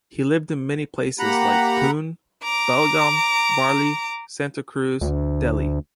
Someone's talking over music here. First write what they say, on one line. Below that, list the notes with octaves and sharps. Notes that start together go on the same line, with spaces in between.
He lived in many places like Pune, Belgaum, Varli, Santacruz, Delhi.
A#3 G4 F#5 A#5 B5
A#5 D6
D2